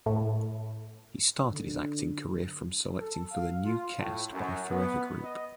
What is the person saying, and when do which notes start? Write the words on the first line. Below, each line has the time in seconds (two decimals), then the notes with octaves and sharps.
He started his acting career from selecting for the new cast by Forever Group.
0.06 A2
1.52 D3
2.99 A4
3.32 F5
3.66 F4
3.99 A2
4.33 F#2
4.69 B3
5.23 D#5